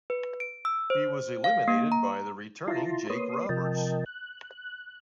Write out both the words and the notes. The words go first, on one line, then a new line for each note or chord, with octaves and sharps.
He was eliminated by the returning Jake Roberts.
B4
D7
E6
C5
F5
A#3
A#5
E4 F4 A5 A#5 C6
A#3 B4 C#5 C6 D#6
C3 F3 A#4 D#5 G5 A5
F#6